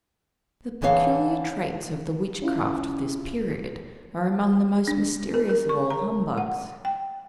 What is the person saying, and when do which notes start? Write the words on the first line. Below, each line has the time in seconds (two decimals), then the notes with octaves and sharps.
The peculiar traits of the witchcraft of this period are among the most mysterious of all humbugs.
0.82 D3 E3 G#4 C#5 F5
2.42 C#4 E4 F4
4.88 D4
5.34 A#4
5.49 A#4
5.69 C#6
5.90 A#5
6.38 F#5
6.85 G5